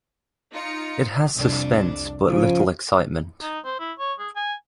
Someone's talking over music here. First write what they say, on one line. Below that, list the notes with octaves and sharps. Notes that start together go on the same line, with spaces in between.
It has suspense but little excitement.
D#4 F4 C#7
C2 F2 D4
G#2 C#3 F3
D#4
C5
E4
C#5
G#4
G#5